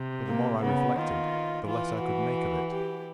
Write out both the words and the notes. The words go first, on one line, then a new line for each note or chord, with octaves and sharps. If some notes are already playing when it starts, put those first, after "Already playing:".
But the more I reflected the less I could make of it.
Already playing: C3
A#3
C#3 B3
D#3 F4
E3 F4
F#4
G4